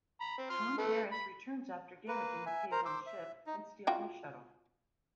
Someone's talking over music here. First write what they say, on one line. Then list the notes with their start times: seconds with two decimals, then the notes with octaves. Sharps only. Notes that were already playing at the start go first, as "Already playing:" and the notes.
Tom Paris returns after damaging the Kazon ship and stealing a shuttle.
0.21 A#5 B5
0.38 C4
0.50 C6 F6
0.78 A3 A4 B4
1.12 B5
2.08 A#3 B4
2.46 E5 G#5
2.71 A#4 C5 A#5
2.85 C5 D6 E6
3.07 E5
3.46 D#4
3.87 F4 F#4 G5